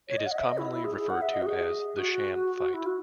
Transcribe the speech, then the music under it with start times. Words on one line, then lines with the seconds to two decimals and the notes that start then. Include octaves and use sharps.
It is commonly referred to as "The Sham Fight".
0.08 C#5
0.18 D#5
0.26 F#5
0.31 D#5
0.37 E5
0.46 D#5
0.58 E4
0.71 E4
0.84 G#4
0.96 G#4
1.10 F#5
1.22 E5
1.34 D#5
1.42 F#4
1.47 G#4
1.98 F#4
2.74 E4
2.86 F#4